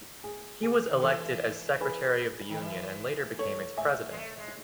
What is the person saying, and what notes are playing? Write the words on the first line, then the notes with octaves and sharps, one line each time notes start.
He was elected as secretary of the union and later became its President.
G#4
G#4
D#3
E3 A4
G#4 B4
D#3
E3
A4 C#5
E5 G#5
G#3
A3
G#3